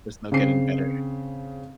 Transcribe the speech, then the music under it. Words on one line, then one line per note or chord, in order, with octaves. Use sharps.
there's no getting better."
C#3 C4 C7